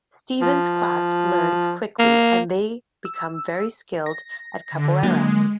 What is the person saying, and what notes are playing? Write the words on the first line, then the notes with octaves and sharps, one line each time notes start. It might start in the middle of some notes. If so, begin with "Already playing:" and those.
Stevens' class learns quickly, and they become very skilled at Capoeira.
F3
A#3
E6
A#6
D3
D3 F#3 G#3 A#3